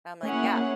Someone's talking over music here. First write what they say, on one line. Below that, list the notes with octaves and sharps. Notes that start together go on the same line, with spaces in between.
I'm like, "Yeah."
A3 C#4 E4 G#4 C#5 F#5
A#3
A#3
A#3